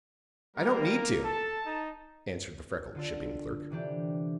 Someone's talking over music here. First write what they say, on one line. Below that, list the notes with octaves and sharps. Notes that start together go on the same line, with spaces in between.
"I don't need to," answered the freckled shipping clerk.
G3 A#3 A#4
A4 A5
D#4
D3 F4 A4
C3 E3 D4 G4 A4